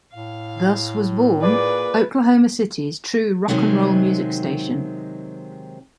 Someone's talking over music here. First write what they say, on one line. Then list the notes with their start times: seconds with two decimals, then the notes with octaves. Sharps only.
Thus was born Oklahoma City's true "Rock N' Roll" music station.
0.13 A2 F5
1.41 A#2 G#4 B4 D5
3.48 C3 D#3 F#3 G#3 C4